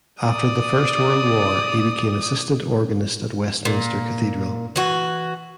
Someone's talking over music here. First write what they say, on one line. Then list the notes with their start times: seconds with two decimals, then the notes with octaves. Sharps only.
After the First World War he became assistant organist at Westminster Cathedral.
0.22 D5 D#6
3.65 A#2
4.76 E3 F#4